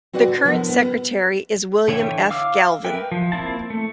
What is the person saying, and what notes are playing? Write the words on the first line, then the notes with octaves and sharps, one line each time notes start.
The current secretary is William F. Galvin.
C4 F#4 B4 D5 F#5
D3
D3 F3 B3 E4 A#4 F#5
B3
B4
D3 E3 C#5 E5 G5
F5 D6 E6 F6
A#4 B4 E5 G5
F3
A#3 C4 E4 A5
A3